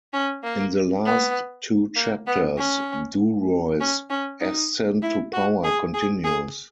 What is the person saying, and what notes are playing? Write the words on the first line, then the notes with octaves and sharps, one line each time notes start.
In the last two chapters, Duroy's ascent to power continues.
C#4
A#3
B3
A#3
B3
C#4
C#4
C#4
D#4
E4
F#4
G#4
G#4
G#4